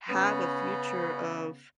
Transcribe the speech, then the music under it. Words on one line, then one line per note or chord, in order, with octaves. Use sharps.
have a future of
C#3 B3 C#4